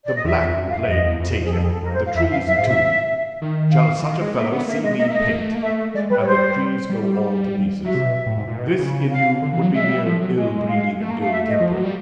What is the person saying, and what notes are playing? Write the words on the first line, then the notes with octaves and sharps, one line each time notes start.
"The Black Plague take him--and the trees, too! Shall such a fellow see me paint!" And the trees go all to pieces. This, in you, would be mere ill-breeding and ill-temper.
D5
D#5
E2 E5
F2
F#2
G2
F5
E5
F2 D#5
E2
F2
E2
F2 G#4
A4
G#4
A4
F2 A#4
F#2 C5
F5
F2 E5
G2 F5
F#2 E5
G#2 F5
C3 E5
D#3
F5
E3
D#3
G#3
A#3 E5
B3
A#3 E5
G#3 D#5
A#3 D#5
E5
A#3
D#5
A3
A#3
A3
A#3
A3 E5
G#3 D5
G3 B4
C#5
C5
G3
F#3 E5
C3
B2
A2
G#2
A#2
B2
C3
C#3
F5
D3
E3
F#3
G#3 E5
F#3
G3
F3
F#3
G#3
F5
A3
A#3
A3 F5
E5
D#5
F3
F#3
G3